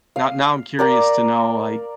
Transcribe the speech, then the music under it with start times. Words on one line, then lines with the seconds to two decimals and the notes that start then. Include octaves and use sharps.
now now I'm curious to know, like,
0.16 F5
0.79 A#4 D5 A#5